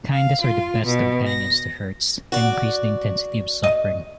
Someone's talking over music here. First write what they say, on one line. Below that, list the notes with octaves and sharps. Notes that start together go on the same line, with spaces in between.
Kindnesses are the best companions to hurts, and increase the intensity of suffering.
F5
F4
B2
A#6
F#4 D5
D#5